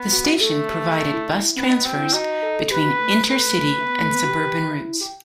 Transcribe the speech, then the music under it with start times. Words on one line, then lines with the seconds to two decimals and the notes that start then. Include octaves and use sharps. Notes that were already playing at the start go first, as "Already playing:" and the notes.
The station provided bus transfers between inter-city and suburban routes.
Already playing: B3
0.12 F#4
0.41 A3 A4
0.69 G4
1.13 E4
1.28 D#4
1.42 E4
1.56 B3 C4
1.70 D#4
1.84 C4 F#4
1.99 E4
2.13 D#4 F#4
2.42 A4
2.71 G4 B4
2.85 F#4
2.99 A3
3.14 A3
3.28 A3 B4
3.80 A3
3.85 B3
4.01 A3
4.14 B3
4.24 F#4
4.28 G4
4.43 G4
4.71 E4
5.01 G4